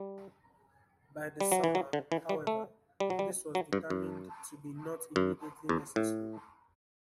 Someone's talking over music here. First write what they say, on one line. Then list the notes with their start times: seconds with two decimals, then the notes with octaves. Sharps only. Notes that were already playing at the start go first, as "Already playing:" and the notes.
By the summer, however, this was determined to be not immediately necessary.
Already playing: G3
1.40 G3
1.52 F#3
1.64 E3
1.75 F#3
1.93 D3
2.12 E3
2.29 G3
2.47 A3
3.00 G3
3.10 F#3
3.19 G3
3.55 F#3
3.73 G2
3.90 F#2
5.16 F#2
5.69 E2
5.96 A2